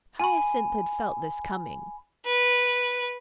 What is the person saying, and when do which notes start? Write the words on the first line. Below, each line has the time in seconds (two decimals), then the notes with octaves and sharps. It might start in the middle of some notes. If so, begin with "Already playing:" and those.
Hyacinth had felt this coming.
0.20 G#5 B5
2.26 B4